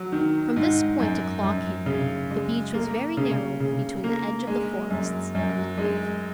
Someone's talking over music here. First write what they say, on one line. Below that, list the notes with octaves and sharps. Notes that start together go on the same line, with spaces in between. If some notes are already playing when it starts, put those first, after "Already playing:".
From this point to Claw Cape the beach was very narrow between the edge of the forest and the reefs.
Already playing: F#3
D#3
G#2
F#2
F#2
C#3
G#3
A#3
C#3
C#3
A#3
G#3
F#2
F#2
G#3